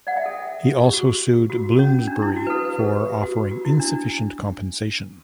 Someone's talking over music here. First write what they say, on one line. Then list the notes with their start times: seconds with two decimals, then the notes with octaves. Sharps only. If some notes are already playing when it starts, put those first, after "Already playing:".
He also sued Bloomsbury for offering insufficient compensation.
0.07 D5 F#5
0.16 E5 G5
0.26 A4
0.84 G4
0.93 F#4
1.50 F#4
1.79 C#4
2.07 D4
2.22 E4
2.36 F#4
2.47 B4
2.50 A4
2.65 B4
2.79 G4
3.22 F#4
3.51 F#4
3.65 E4
3.80 D4